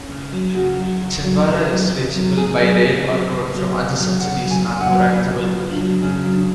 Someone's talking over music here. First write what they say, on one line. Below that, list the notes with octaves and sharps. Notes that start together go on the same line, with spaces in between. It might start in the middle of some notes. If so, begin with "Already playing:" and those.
Chhindwara is reachable by rail or road from adjacent cities Nagpur and Jabalpur.
Already playing: C#4
C#3
F#3
C#3 F#4
F#3
C#3
F#3
C#3
F#3
C#3
F#3
C#3 G#4
F#3
C#3
F#3
C#3
F#3
C#3
F#3
C#3 F#5
F#3
G#5
C#3
F#5
F#3
C#3 B4
F#3
F4
C#3
D4
F#3
C#3 C#4
F#3
D4